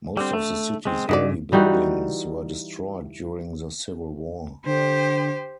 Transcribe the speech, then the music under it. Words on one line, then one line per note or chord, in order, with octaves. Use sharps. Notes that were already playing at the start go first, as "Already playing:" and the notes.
Most of the city's early buildings were destroyed during the Civil War.
D3 G3 C4
A3
G#3 C4
G2 C#3 D#4 F#4 D5
E3 G3 D#4 F#4
D3 G4 C5